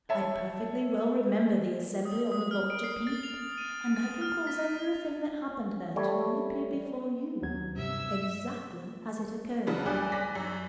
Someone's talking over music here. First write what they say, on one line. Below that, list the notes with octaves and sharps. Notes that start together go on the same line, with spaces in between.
I perfectly well remember the assembly on the Vulture Peak; and I can cause everything that happened there to reappear before you, exactly as it occurred.
C#5 E5 A5
D#6
D#6
F6
D7
C7
A6
F7
D#7
A6
F6
B6
G3 A3 C#5
D#2 F#3 G#6
G2 C3 E5 E6
C#3 F#3 B3 D4
D2 G3 D5 G#5 F#6
D5 A#6 B6
F#2